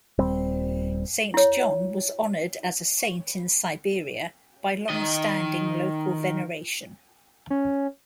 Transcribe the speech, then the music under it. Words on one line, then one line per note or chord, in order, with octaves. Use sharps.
Saint John was honoured as a saint in Siberia by longstanding local veneration.
D#1 G3 C4
E4 C#5
D#3 D#5
C#4